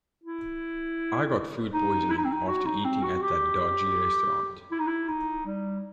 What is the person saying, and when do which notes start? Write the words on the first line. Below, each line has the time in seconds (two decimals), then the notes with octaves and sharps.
I got food poisoning after eating at that dodgy restaurant.
0.23 E4
1.73 D#4
2.10 E4
2.17 D#4
2.24 C4
2.32 D#4
2.47 F#4
2.66 D#4
2.84 C4
3.03 F#4
3.22 G4
4.71 E4
4.79 D#4
4.87 E4
5.08 D#4
5.45 G3